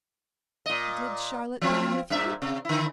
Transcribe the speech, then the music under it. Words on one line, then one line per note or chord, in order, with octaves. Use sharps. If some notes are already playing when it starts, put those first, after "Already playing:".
"Did Charlotte dine with you?"
A#2 D#5
F3 C4 F4
G2 A#2 E5
C3
D3 E4